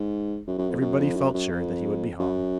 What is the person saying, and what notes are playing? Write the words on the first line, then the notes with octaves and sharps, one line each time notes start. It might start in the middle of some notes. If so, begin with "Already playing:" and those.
Everybody felt sure that he would be hung.
Already playing: G#2
F#2
F#2
F2
F#2
F2
F#2
F#2
F2
F#2